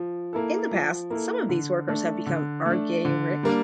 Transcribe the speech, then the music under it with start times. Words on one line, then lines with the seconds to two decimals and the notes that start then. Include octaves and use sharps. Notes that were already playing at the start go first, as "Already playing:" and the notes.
In the past, some of these workers have become argyric.
Already playing: F3
0.33 A#3 E4 A4
0.71 F3
1.10 A#3 E4 A4
1.49 D3
1.88 A3 D4
2.27 D3
2.65 A3 D4
3.05 D3
3.43 G3 A#3 D4